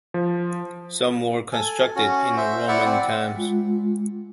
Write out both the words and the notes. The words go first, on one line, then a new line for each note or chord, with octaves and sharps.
Some were constructed in Roman times.
F3
A4 G#5
C#4 F#4
C5 E5
E4 D5 E5 F#5
C4 D5 F#5
G#3 F4